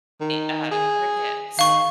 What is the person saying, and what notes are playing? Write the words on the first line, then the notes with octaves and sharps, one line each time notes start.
E uh, crickets.
D#3
G#4
D#3 F5 C#6